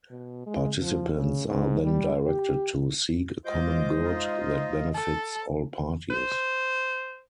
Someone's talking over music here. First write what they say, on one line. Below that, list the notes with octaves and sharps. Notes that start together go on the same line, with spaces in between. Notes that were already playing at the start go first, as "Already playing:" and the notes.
Participants are then directed to seek a common good that benefits all parties.
B2
G#3
F3
C#3
G#2
G3
G4
G#3 F4 C5 D#5 D6 G6
D#4 F4
A4
C5